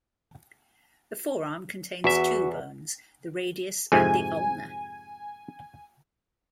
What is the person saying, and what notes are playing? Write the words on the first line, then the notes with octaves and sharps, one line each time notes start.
The forearm contains two bones: the radius and the ulna.
E2 F#4 E5
F2 G#2 C3 G#5